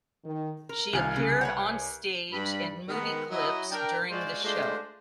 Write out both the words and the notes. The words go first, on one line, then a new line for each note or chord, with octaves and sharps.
She appeared on stage and movie clips during the show.
D#3
A#4
C2 D#3 F4 G#5
C#3 G#4
B4 C#5 F#5
G2 B5
D#3 G#3 B3
F#3 E4 D#5
D4 A#4 G5
G#3 F4 F#4 G#4 C5 D5
G#3 A3 D4 F4 C5